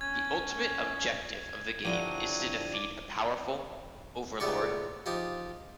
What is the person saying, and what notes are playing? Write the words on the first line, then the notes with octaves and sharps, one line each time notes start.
The ultimate objective of the game is to defeat a powerful "Overlord".
C#4 G#6
G2 D3 F3 F#3 E4 G4 D#7
D5
C#2 A3 B3 G4 D5 C#6
F3 D#4 F4 G4